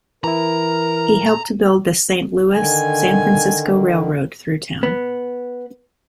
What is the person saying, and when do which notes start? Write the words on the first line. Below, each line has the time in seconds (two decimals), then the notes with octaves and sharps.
He helped build the Saint Louis-San Francisco Railroad through town.
0.24 E3 E4 A#4 A#5
2.54 D3 D#3 G#5
4.83 B3